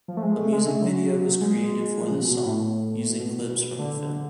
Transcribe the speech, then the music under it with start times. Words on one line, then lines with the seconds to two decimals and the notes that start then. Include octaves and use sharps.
A music video was created for this song, using clips from the film.
0.08 F3
0.17 A3
0.23 G#3
0.38 A3
0.52 G#3
0.66 A3
0.75 G#3
0.82 F#3
1.41 G#3
2.02 F3
2.10 C#3
2.21 B2
2.31 B2
2.45 A2
3.20 B2
3.79 D3